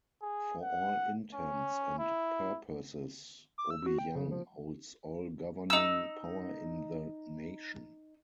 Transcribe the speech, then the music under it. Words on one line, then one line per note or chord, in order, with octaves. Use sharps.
For all intents and purposes, Obiang holds all governing power in the nation.
G#4
F#5
C#4
E4
D6
E6
F#4
G5
C#3
F3
D#4 E6